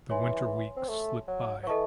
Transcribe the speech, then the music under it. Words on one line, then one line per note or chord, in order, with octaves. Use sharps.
The winter weeks slipped by.
E3 C#5 G#5 C6
C4
A3
F#3
F#3
E3 A4 D#5 A5 C#6